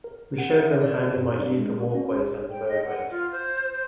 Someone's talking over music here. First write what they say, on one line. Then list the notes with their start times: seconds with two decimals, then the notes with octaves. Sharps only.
We showed them how they might use the walkways and the roadways.
0.04 A#4
0.38 F#5
0.56 E5
0.81 D5
1.02 F#4
1.16 G2
1.39 D4
1.57 G#3
1.80 F#4
1.95 C#4
2.15 G#1
2.50 G5
2.69 D#5
2.85 F#5
3.11 F4
3.32 C5
3.73 C5